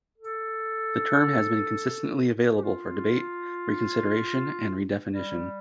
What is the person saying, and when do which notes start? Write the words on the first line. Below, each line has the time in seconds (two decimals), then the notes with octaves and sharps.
The term has been consistently available for debate, reconsideration, and redefinition.
0.18 A4
2.57 G4
2.63 F4
5.10 G3